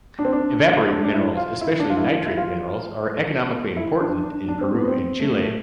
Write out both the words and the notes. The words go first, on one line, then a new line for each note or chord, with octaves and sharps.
Evaporite minerals, especially nitrate minerals, are economically important in Peru and Chile.
D4
C4
D4
D4
D4
E4
F4
E4
D4
F4
E4
F4
E4
F4
E4
D4
D4
D4
C4
B3
C4
A3
A3